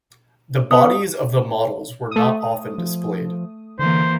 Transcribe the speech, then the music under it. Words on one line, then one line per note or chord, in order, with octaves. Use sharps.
The bodies of the models were not often displayed.
B3 D#6
A3 D#6
F3
D3 E3 A#3 C5